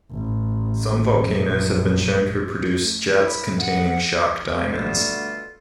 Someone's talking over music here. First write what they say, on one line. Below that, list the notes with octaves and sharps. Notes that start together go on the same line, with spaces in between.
Some volcanoes have been shown to produce jets containing shock diamonds.
A1
A#1 F#2
A3
E4
F#5
B2 D3 G3 A3 F4 A4